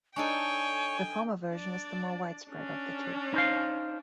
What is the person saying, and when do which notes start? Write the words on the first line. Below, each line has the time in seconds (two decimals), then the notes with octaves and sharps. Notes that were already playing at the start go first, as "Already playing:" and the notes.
The former version is the more widespread of the two.
0.16 D4 D#4 A4 C#5 G5 G#5
1.51 D4 D5
2.49 C#4 D4
3.34 D#4 C5 F5